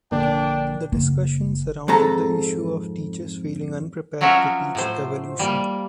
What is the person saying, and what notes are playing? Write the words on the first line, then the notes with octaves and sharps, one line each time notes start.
The discussion surrounded the issue of teachers feeling unprepared to teach evolution.
A#1 D3 A#3 D4 G5
F#1
F2 G#2 A4 A#5
F3 F#3 C#4 F#4 A#4 E5
A2 C5
G3 A#3